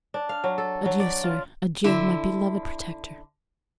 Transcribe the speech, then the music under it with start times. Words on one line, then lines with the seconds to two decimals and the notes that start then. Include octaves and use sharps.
"Adieu, sir, adieu, my beloved protector."
0.14 D4
0.29 F5
0.44 F#3
0.58 A4
0.86 F#3
1.00 D5
1.24 F4
1.84 D3 E4